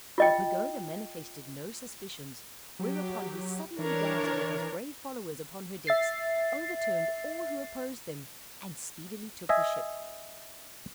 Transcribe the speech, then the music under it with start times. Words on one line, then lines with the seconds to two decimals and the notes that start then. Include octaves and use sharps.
The Pagoda manifested no suspicions, whereupon he suddenly darted with his brave followers upon her decks, overturned all who opposed them, and speedily took the ship.
0.18 F4 D#5 G5
2.79 F#3 G4
3.79 E3 D4 A#4 C#5
4.23 E3
5.87 E5 A6 C7
9.49 D#5 E5 G#5